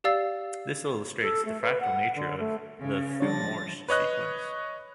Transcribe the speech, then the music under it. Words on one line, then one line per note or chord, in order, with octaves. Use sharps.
This illustrates the fractal nature of the Thue-Morse Sequence.
G4 D5 F5 E6 A6 C7
A4
A3
B4
F#5
D3
A3
C#3
F3 G3 D4 C#5 A6 A#6
B4 C#5 D#5 F#6